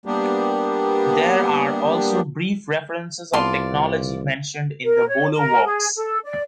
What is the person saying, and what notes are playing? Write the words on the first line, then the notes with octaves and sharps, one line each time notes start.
There are also brief references of technology mentioned in the Bolo works.
G3 A#3 B3 D4 G4
C2 B3 F4 D5 A5 C6
A#4
C#5
A#4
G#4
A4
D5